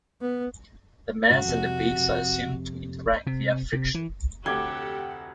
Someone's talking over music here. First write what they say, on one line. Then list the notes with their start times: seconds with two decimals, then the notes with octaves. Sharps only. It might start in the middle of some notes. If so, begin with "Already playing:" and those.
The mass and the base are assumed to interact via friction.
0.21 B3
1.30 G#2 C#3 F#4
1.45 F2 C3
3.27 C3
3.73 C3
3.95 E3
4.46 F1 D2 G4 A4 F#5 G5 D6 G#6